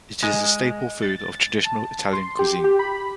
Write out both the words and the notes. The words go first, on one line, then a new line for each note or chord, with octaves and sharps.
It is a staple food of traditional Italian cuisine.
G#3
A6
A5
C6
G4
G4
B5